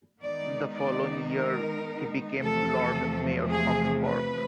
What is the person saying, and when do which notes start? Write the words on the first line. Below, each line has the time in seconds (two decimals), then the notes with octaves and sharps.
The following year he became Lord Mayor of Cork.
0.21 D#3 G#3 B3 D#4 D5
0.75 D5
1.31 A#4
2.40 E2 C3 F3 A3 A4
3.49 G#4
4.04 B4